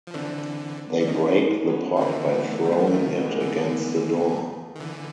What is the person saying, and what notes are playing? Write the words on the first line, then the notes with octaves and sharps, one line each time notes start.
They break the pot by throwing it against the door.
F3
D3 E3 C4 D4
D3
D#3 C#4 D#4
B3 C#4
F3
D3 E3 A#3 C4
A3 B3
G3 A3
F#3
F3
E3
D#3 A3
B3
G#3 A#3
D3 E3
A#3
A3 B3
D#3
D3 E3